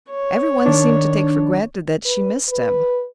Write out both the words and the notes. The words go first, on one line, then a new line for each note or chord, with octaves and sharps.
Every one seemed to take for granted that she missed him.
C#5
D#3 D4
B4
B4